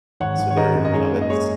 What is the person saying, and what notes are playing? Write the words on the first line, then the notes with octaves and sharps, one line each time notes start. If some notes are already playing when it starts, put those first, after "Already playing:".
So they're you know, that's
G#1 C#5 F#5
G#1
C#5
G#1 A#4 D#5
F#2
D#5
G#2 G#4 C#5
A#3
D#5
G#2 G#4 C#5